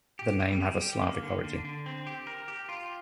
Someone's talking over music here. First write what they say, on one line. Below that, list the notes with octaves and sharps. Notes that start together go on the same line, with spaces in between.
The name have a Slavic origin.
G4
G3
G3
G4
A#3
D3
D3
D3
C4
G4
A#4
G4
F4